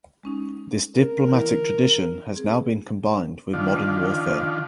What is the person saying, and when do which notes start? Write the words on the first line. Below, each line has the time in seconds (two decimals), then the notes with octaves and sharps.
This diplomatic tradition has now been combined with modern warfare.
0.23 G#3 C#4 D#4
0.96 A#4
1.28 D3 E3 E4
2.32 C4 G#4
3.53 D3 D#3 F3 D4 F4